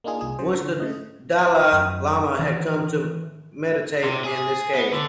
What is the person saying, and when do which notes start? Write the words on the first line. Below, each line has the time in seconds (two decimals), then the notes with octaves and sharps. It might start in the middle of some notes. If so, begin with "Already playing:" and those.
Once the Dalai Lama had come to meditate in this cave.
0.04 A#3 D4 D#4 F4 G#4
0.21 C2 G#4
0.39 C#3 F#3 C5
0.55 D3
0.80 C#3 A3 D#5
1.73 F#2
2.39 D#3 E3
4.04 C3
4.24 G#4
4.75 B3
4.93 D3